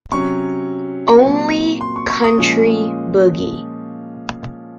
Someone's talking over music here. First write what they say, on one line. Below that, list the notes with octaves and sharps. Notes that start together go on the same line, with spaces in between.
Only country boogie.
C3 F#3 C#4 C#6
A#2 F#3 C4
C6
C#6
C#6
D#6
A#2 F3 G#3 C#4